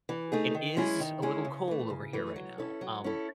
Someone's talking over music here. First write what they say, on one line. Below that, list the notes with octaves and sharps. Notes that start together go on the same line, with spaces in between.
it is a little cold over here right now, um
E3
A3 D#4 G#4
D#3
G#3 C#4 E4 G#4
D#3
G#3 C#4 E4 G#4
C#3
E3 A3
C#3
E3 A3
F#3
C#4 E4 A4
F#3
C#4 E4 A4